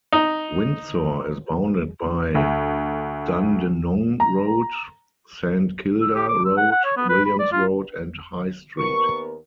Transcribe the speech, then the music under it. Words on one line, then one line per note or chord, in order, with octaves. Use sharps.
Windsor is bounded by Dandenong Road, Saint Kilda Road, Williams Road and High Street.
D#4
D2
A#5
E6
G4
D6
E6
F#5
F#5
C#5
B3
B4
B5
D5
F4
D#2 B3 A#4 C#6